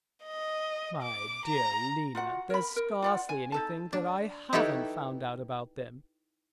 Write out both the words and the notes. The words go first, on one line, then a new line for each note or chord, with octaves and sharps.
My dear Lena, there's scarcely anything that I haven't found out about them.
D#5
D6
A#5
F4 F#4 F#5
A#4 B5
A#4
F4 D5 F#5
G#5
D#4 A4 A5
D4
D#4 E4 G4 A4 B4 C#5